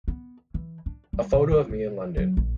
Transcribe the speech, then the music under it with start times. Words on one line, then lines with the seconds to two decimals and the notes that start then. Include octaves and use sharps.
A photo of me in London!
0.08 B3
0.54 E3
0.86 D4
1.13 G3
1.33 B2
1.52 G3
1.70 B1
2.17 F#3
2.37 A#1